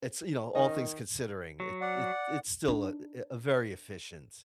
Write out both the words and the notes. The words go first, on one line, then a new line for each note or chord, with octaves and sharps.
it's, you know all things considering, it it it's still a eh a very efficient
D#3 C#4 D#5
F#3
D5 F#5
D4 D#4